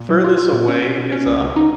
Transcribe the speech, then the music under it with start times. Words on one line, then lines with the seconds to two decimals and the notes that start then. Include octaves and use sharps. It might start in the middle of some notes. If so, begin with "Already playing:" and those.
furthest away is, um,
Already playing: A#2
0.09 F#3
0.24 F4
0.38 F4
0.53 A#2
0.68 C#4
0.82 B2
0.97 B2
1.12 C#4
1.26 C#2
1.41 C#2
1.56 D#4